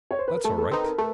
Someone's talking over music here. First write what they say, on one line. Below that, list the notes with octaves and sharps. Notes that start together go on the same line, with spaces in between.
That's all right.
C#5
C5
B4
A#4
A3 A4
A4
C4 D#4 B4
A#4
A3 A4